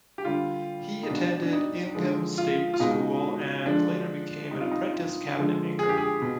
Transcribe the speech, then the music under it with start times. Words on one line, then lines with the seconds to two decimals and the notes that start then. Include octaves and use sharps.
He attended Ingham State School and later became an apprentice cabinet-maker.
0.18 G4
0.25 D3 G3 F4
1.03 D#4
1.10 B2 G3 D4
1.42 D4
1.53 D#4
1.95 D3 F3 G#3
2.38 F4
2.74 F4
2.80 B2 G#3 D#4
3.66 D3 F3 G#3 D4
4.51 C3 G3 D#4
4.61 F4
4.72 D#4
4.94 F4
5.36 D3 F3 G#3
5.79 G#4
5.89 G4
5.98 G#4
6.22 B2